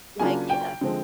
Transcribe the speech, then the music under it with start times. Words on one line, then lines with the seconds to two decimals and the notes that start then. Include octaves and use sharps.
like yeah.
0.20 C#3 F#3 A#3 D4 F4 G#5
0.50 G5
0.81 D3 F3 G#3 C4